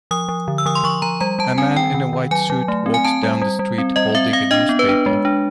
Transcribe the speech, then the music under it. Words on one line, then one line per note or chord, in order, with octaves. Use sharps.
A man in a white suit walks down the street holding a newspaper.
F3 D#6
F3
D3
E6
F3 D#6
C6
F3 C#6
F3 A#5
G3 A#5
G3 A5
C4 G#5
D#3 G5
D#3
D#3
F#3 G#5
F#3
A3
C4
G#5
C4 A5
G3
G3
G3
C4
G3 D#5
C4 E5
C4 F5
D4 D#5
B3
B4
D4
G#3
D4